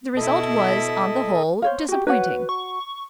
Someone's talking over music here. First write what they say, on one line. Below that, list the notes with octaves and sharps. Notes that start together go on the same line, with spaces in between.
The result was, on the whole, disappointing.
B2 E4 A4 D#5
C5 C#5 F5
F#4 G4
F#4 B4 C#5 F#5
C#6